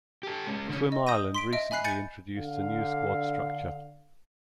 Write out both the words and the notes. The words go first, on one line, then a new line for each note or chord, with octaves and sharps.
Swim Ireland recently introduced a new squad structure.
G4 A4
G#3 C#4
D3 C#4
D#5
D#6 G6 A#6 D#7
C6 B6 D7
D#5 E5 D7
E5 G#5 B5 F#6 C7
G#5 G6 A6 C#7
D3 F5